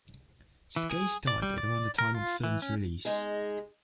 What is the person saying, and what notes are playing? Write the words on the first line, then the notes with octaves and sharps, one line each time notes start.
Skase died at around the time of the film's release.
E3
G#4
D5
G3
D5
A#4
F4
E3
C#4
G#3 D#4 G#4